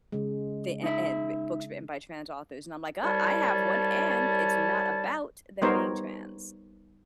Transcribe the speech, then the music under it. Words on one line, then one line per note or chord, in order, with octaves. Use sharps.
the eh em books written by trans authors, and I'm like, "Uh, I have one, and it's not about them being trans."
C#3 G#3
D#4 E5
C2 G3 C#5 A5
G3 B3 D#4 A#4 C5 C#5